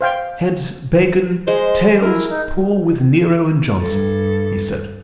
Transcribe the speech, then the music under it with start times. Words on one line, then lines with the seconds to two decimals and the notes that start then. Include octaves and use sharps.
"Heads--Bacon; tails--pool with Nero and Johnson," he said.
0.01 C5 F5 G5
1.48 G#3 C5 D#5
2.03 E4 A#4
2.29 D#4
3.81 G2 A4